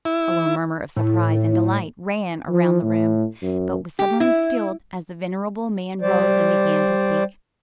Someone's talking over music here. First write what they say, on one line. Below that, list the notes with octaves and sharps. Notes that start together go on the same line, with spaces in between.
A low murmur of surprise and delight ran round the room, but was suddenly stilled, as the venerable man rose and began to speak.
E4
A2
F3
A2
F#2
G4
E4
G3 C5 D5